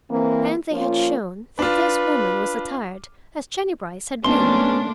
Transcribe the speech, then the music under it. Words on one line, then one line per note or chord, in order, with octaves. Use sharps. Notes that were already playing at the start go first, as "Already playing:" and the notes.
And they had shown that this woman was attired as Jennie Brice had been.
E3 A#3 C4
F3 A#3 C#4 F4
D4 F4 B4
B1 A3 A#3 C#4 D4 C6